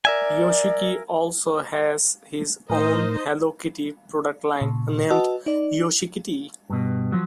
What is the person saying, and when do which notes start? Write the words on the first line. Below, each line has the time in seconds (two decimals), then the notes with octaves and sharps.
Yoshiki also has his own Hello Kitty product line, named "Yoshikitty".
0.05 A#4 D5 E5 G#5
2.70 A2 D#4 A#4 C5 D#5
4.61 A#2 C#3
5.10 F#4 B4 D#5 F#5 A5 E6
5.46 D#4 D5
6.70 G2 B2
7.12 F3 F#3